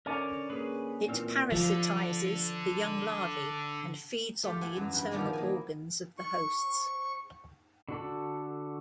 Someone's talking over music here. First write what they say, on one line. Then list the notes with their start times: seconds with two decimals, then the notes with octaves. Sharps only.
It parasitizes the young larvae and feeds on the internal organs of the hosts.
0.06 D3 C#4 A#4 D5 D6
0.50 A#3 G#4 B4 B5
1.08 A#2 E3 C4 F5 E6
1.52 D3 F3
4.43 A3 F4 G4
4.61 A4 F#5 G#5
4.76 F#2 E3
4.92 G2
5.11 B2 D#3 F3 B3 D5 G#5
5.33 A#3 D#5 G#5
6.18 C#6
7.89 D3 F#4 A4